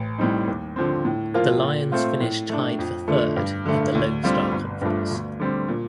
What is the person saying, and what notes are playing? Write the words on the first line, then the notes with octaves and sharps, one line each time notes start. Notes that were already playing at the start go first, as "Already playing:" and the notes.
The Lions finished tied for third in the Lone Star Conference.
Already playing: A1
A2 G3 C4 D#4
D#2
D3 F3 C4
A2
F3 A#3 F4
A#2
A3 C4 F4
A2
A3 D4
F2
D3 F3 A3
G2
D3 A3
D2
D3 G3 C4 F4
G1
G2 F3 A3 D4
D2
D3 G3 C4
A#2